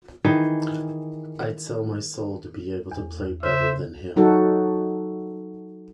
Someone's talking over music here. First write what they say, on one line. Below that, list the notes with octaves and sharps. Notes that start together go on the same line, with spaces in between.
I’d sell my soul to be able to play better than him.
D#3 E3 G#4
E2
C#3 C5 E5
F#3 D#4 F#4 A4